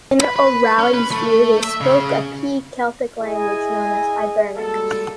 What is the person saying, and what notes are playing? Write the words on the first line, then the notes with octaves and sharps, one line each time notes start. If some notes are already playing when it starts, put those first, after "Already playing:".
In O'Rahilly's view, they spoke a P-Celtic language known as Ivernic.
B4
B4
C#4
B4
A3
E5
C#3
E4 G#4 D#5 G#5
G3 G#3 A#3 F#4 A4